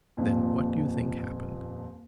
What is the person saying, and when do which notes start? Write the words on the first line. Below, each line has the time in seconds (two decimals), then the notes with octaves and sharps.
Then what do you think happened?
0.17 D#1 F2 A#2